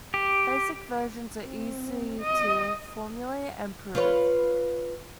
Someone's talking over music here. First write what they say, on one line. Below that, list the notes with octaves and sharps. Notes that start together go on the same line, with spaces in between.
Basic versions are easy to formulate and prove.
G4
C4
D#5
F4 B4 C#5